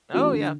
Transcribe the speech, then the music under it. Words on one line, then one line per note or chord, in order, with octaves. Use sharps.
Oh, yeah.
E3 A3 C#4 F#4
D3